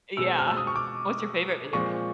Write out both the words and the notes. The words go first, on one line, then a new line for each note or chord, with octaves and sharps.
Yeah. What's your favorite video game?
B2 G#3 C4 E6
F6
E6
D#6
C#6
D6
A#2 F3 G#3 C4 C#6